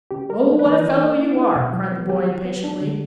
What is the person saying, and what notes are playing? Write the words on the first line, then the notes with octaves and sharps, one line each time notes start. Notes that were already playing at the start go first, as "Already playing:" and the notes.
"Oh, what a fellow you are!" cried the boy impatiently.
C#3 G4
G3 A#4
A#3
B4
E3 A#4
E3
A#3
E4
E4
B2
F#3
B3
F#3 G4
F#3
B3
D4
D3